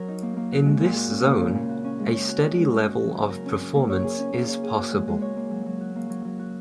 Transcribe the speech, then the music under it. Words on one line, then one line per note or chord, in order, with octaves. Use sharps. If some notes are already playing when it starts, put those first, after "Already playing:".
In this zone, a steady level of performance is possible.
Already playing: F#3 C#4 A#4
D#4
A#3
A#3
F#4
G#3
A#2
F#4
C#4
A#3
C#3
C#3
F#4
C#4
G#3
C#5
F#4
D#4
G#3
G#3
F#4
F#3
C#3
A#4
C#4
C#4
A#3
C#5
G#4
C#4
A#3
C#5
G#4
F#4
G#3
G#3
C#5
A#3
F#3
F#3
F#4
A#3
F#3
F#3
F#4